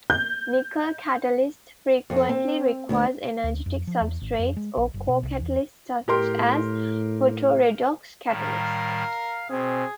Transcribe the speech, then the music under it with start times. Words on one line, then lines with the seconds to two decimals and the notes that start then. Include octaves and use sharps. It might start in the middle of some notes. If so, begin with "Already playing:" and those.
Nickel catalysts frequently require energetic substrates or co-catalysts such as Photoredox catalysts.
0.10 G6
2.10 F2
2.29 C4
2.89 D2
3.44 D2
3.66 F2
3.87 F3
4.01 E2
4.21 G#1
4.39 F2
4.56 G#3
4.77 A#1
4.94 F#1
5.08 B2
5.23 C2
5.40 E2
6.08 A2 G4 A#4 C6
8.29 A2 D#3 G3 A#4 F5
9.50 B2 C4 G#4